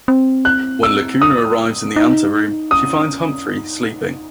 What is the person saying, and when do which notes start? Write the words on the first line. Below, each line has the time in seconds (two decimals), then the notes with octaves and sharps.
When Lacuna arrives in the anteroom, she finds Humfrey sleeping.
0.08 C4
0.45 F#6
0.83 E6
1.21 D#6
1.96 D#4
2.71 C#4 D#6
3.47 D#4